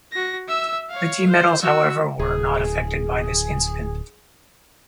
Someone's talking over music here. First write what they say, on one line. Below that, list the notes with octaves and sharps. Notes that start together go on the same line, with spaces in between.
The team medals, however, were not affected by this incident.
F#4 A#6
E5 E6
C#5 F5
C5
F#4 E6
D1 G#4